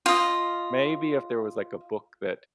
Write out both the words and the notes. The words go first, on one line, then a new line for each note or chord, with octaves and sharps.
Maybe if there was, like, a book that
F4 D#5